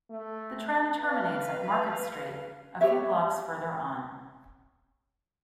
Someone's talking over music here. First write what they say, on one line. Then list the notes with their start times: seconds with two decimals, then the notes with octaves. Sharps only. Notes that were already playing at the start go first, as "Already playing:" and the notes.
The tram terminates at Market Street, a few blocks further on.
0.10 A3
1.00 B4 F5
2.81 G4 C#5 E5